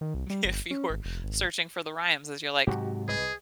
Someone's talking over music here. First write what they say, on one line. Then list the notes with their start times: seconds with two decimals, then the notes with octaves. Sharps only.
if you were searching for the rhymes as you're like,
0.01 D#3
0.14 C2
0.30 G3
0.45 G1
0.71 C#4
0.90 G#1
1.05 F1
1.24 G#1
2.67 G#2 C3 F#3 F#4 G4
3.08 C2 G#4 B4 D#5